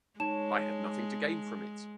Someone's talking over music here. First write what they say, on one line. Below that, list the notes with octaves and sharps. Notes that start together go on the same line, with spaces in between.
I had nothing to gain from it.
G#3 D#4 C#5 A5 E7